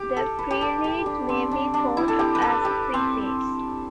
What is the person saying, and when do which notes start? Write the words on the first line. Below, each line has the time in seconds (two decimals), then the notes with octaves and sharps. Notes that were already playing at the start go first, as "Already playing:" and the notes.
The prelude may be thought of as a preface.
Already playing: G4
0.17 A4
0.39 B4
0.51 G4
0.61 A4
0.84 G4
1.06 D4
1.29 C4
1.51 D4
1.74 D4
1.97 E4
2.08 A4
2.19 G4
2.35 B4
2.42 A4
2.65 G4
2.94 C4